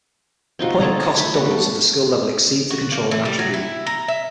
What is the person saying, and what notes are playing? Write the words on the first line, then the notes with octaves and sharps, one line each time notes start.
The point cost doubles if the Skill level exceeds the controlling Attribute.
C4 D#4 F4 F#4
G#4 A4 A#5
C#5
A3 E5 B5
G3 F#4
A4
F#4
A#3
E3
G3
F#3
E4
A#5
E5